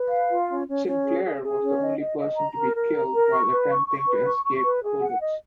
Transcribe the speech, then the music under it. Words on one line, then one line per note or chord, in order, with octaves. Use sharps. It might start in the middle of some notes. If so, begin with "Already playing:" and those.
Sinclair was the only person to be killed while attempting to escape Colditz.
Already playing: B4
F5
F4
C#4
C#4
C#4
G#4
G#4
G#4
C#4
D#5
D#5
D#5
A#5
A#4
A#4
A#5
A#4
C#6
B4
C#6
C#6
B4
C#6
C#6
B4
G#4
F#5
D#5